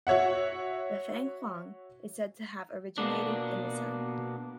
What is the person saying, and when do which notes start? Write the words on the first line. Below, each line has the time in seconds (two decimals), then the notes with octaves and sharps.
The fenghuang is said to have originated in the sun.
0.07 F#4 C#5 E5 F#5
2.98 B2 A#3 B3 D4